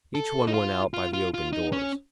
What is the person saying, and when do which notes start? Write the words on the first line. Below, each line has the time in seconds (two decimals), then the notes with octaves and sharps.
Each one went out by the open doors.
0.15 A4
0.47 D#4
0.54 F4
0.94 F4
1.13 F4
1.34 F4
1.53 D#4
1.72 C#4